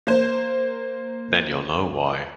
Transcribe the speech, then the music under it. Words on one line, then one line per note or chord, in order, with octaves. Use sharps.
Then you’ll know why.
A#3 C5